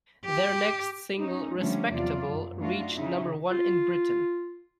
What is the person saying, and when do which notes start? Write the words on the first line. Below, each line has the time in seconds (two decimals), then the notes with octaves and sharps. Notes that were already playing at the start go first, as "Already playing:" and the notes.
Their next single "Respectable" reached number one in Britain.
0.25 G4
1.19 C#4 D#4
1.57 D3 F3 G3 A3 C4 C#4
1.92 E2 C3 F#3 F4 D5
2.28 F#2
2.60 A3 D4 D#4 F4 F#4
2.94 C#3 D#4 E4
3.50 F4